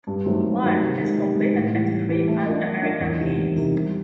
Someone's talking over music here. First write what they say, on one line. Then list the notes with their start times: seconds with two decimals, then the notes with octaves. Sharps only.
Lye has competed at three Pan American Games.
0.07 G2
0.26 D#3 F#3 A3 C4
0.44 G2
0.63 D#3 F#3 A3 C4
0.81 C3
0.99 D#3 G#3
1.17 C3
1.35 D#3 G#3
1.54 A2
1.72 E3 G3
1.91 A2
2.09 E3 G3
2.27 A3
2.46 D4 F4 A#4 D#5
2.64 A3
2.82 D4 F4 A#4 D#5
3.00 E2
3.20 C3 D#3
3.38 E2
3.56 C3 D#3
3.74 G3